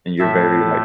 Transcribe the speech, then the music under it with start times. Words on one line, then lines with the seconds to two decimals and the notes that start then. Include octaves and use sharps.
And you're very like
0.19 A2 A3 E5